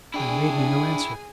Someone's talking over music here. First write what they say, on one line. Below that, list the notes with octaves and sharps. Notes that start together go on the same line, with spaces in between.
She made me no answer.
D4 E4 G#4 G5 G#5